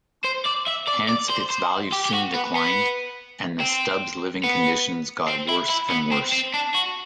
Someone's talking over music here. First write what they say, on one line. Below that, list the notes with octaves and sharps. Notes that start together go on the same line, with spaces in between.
Hence, its value soon declined, and the Stubs' living conditions got worse and worse.
C5
D5
E5
D5
D5
C5
C5
G4
G4
F#4
B3
B3
C4
B3
C4
E4
E4
B3
C4
C4
D4
F#4